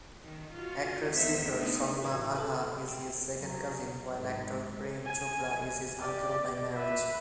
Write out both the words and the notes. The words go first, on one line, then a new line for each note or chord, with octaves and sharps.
Actress-singer Salma Agha is his second cousin, while actor Prem Chopra is his uncle-by-marriage.
D#3
F4 F#4
E2 G#2 C4 D#4 E5
D3 A3 B3 C4 D#4
A2 E3 F#4
A4 B4
C4
F#3
G#2
G#5
G4 D5
B4 E5